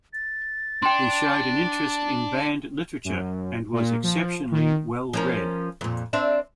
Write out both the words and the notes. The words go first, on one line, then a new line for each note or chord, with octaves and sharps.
He showed an interest in banned literature and was exceptionally well read.
A6
D4 G5 C6
F#2
A#2
F3
D#3
F3 C#4 A#4
F2 A#2
C4 D4 E5